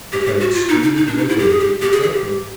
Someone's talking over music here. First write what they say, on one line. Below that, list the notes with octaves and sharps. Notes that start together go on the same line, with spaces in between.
But her extreme immobility deterred me.
G4
G4
F#4
F4
D#4
D#4
D#4
D4
D#4
E4
G4
G#4
G4
G4
G#4
G#4
G4